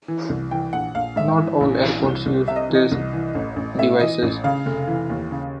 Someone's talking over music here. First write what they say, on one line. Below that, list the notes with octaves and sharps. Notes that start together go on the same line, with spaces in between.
Not all airports use these devices.
E3
C2
E3 G5
A#1 F#5
A#1 F5
G#2 E5
E3
A#1
E3
C2
C2
C3 E5
D#5
E3
D#5
C2
E3
A1
A1
A2 E5
E3 D#5
A1
C#3 F5
F1
E3
D#2
C#3